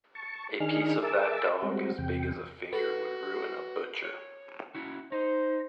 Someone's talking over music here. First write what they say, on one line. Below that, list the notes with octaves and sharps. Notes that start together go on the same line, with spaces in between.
A piece of that dog as big as a finger would ruin a butcher.
A5 C#6
D#3 D4 D#4 G#4 F6
G#4 A#4 E5 A5 D6 E6
G3 G#3 C4 F#4
E2 C3 G5
F#4 A4 B4
C#5
C#4 E4 F#4
D#4 C5